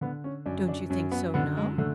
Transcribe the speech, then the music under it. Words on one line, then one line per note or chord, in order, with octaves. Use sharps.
"Don't you think so, now?"
D3 B3
C#4
F#2 D4
D4
F#2 C#4
B3
D3 B3
G#3
D3 A3